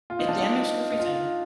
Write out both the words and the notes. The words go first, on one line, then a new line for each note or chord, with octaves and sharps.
it damaged everything.
F4
D#4
D4
D#4
D#4
F4